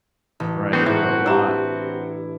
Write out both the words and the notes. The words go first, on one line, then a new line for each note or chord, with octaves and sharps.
right? There were a lot
A1
B3 C4 D4 F#4
A1 C4 E4 F#4 E5
D4 G4 A#5 E6